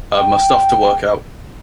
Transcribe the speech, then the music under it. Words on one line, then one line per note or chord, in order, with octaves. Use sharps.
I have my stuff to work out...
G5